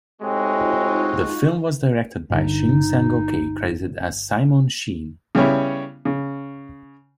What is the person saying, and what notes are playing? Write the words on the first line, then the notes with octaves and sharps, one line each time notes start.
The film was directed by Shin Sang-ok, credited as "Simon Sheen".
A2 C3 G#3 C4 D#4 F4 F#4
G1 D3 D#4
C#3 G3 B3 C#4 E4
C#3